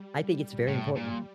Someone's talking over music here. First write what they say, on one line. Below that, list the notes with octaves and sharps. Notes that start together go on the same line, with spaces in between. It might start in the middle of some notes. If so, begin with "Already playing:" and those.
I think it's very important.
Already playing: G3
A2
A#2